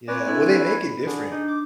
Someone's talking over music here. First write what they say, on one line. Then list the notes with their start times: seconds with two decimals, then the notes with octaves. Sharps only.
Yeah, well, they make it different.
0.08 A#3 C4 B4 C#5 D5 G#5
0.27 C4 D4 E4 A4
0.60 B5
1.07 D3 G#4
1.31 D4 D#4
1.48 D6